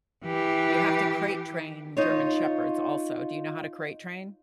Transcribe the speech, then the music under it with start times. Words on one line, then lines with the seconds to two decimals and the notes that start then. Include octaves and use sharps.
You have to crate train German shepherds also. Do you know how to crate train?
0.24 E3 G4
1.97 D#4 F4 C#5